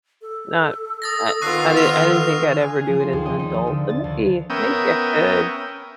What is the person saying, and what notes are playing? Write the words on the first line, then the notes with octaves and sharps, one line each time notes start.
not I I did I didn't think I'd ever do it as an adult, but maybe maybe I could.
A4
D#6 A6 A#6
D#3 B3 F4 C#6 F#6 C7
F6 F7
G#5
G#4
F3
C6
D#2
D#5
D#4
F3
D3
A6
D2
B3 C#4 A#4 E5 G5 D#6